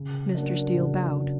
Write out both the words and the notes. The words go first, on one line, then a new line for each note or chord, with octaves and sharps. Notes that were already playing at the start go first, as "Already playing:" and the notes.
Mr. Steele bowed.
Already playing: C#3
F#3 A#3 D4
C#3